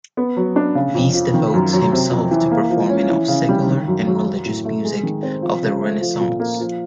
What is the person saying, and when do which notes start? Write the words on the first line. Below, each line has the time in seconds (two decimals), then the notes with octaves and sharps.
Visse devotes himself to performing of secular and religious music of the Renaissance.
0.17 B3
0.37 F#3
0.56 D4
0.75 C#3
0.95 F2
1.14 F3
1.34 D#3
1.54 F#2
1.73 F#3
1.92 C3
2.11 F2
2.31 E3
2.51 A#3
2.70 F3
2.89 C#4
3.09 E3
3.28 C#3
3.49 G3
3.67 D#3
3.88 F#2
4.07 F#3
4.25 F#3
4.45 A2
4.65 A3
4.85 G#3
5.03 D#3
5.23 C4
5.42 F3
5.62 C#3
5.81 A3
6.01 F3
6.20 A#2
6.40 A#3
6.60 F3